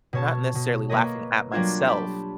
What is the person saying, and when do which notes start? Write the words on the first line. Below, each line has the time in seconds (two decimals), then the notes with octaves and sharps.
not necessarily laughing at myself.
0.13 B2 C#5 A5
0.55 B2
0.90 A#3 B4 C#5 D#5
1.52 F#3 G3 A#3 D4 F4 G#6
1.86 G4 A5 B5